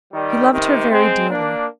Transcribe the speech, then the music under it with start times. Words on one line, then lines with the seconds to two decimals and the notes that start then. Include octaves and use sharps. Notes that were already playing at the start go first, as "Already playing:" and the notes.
He loved her very dearly.
0.12 D#3 G3
0.51 C3 D#3
0.90 G#3 C4
1.29 A#3 D4